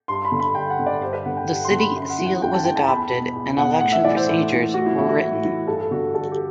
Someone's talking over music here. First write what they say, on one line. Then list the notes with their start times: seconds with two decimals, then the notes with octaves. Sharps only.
The City Seal was adopted, and election procedures were written.
0.08 G2 C6
0.25 B5
0.31 D3
0.39 B5
0.55 G2 G5
0.70 F#5
0.79 D3
0.86 D5
1.01 G2 C5
1.13 B4
1.26 D3 F#5
1.37 G5
1.48 G2 F#5
1.64 C6
1.71 D3
1.79 B5
1.95 F#2 C6
2.10 F#5
2.18 E3
2.26 F#5
2.42 F#2 G5
2.53 A5
2.64 E3 G5
2.76 A5
2.87 E2 B5
3.11 B2
3.35 E2
3.57 B2 F#5
3.81 A2 F#5
3.92 E5
4.04 E3 D5
4.16 C5
4.28 A2
4.52 E3
4.74 A2 F#4
4.86 E4
4.98 E3 E4
5.09 F#4
5.22 A2
5.45 E3
5.67 G2 A4
5.91 D3 F#4
6.15 G2 A4
6.32 G4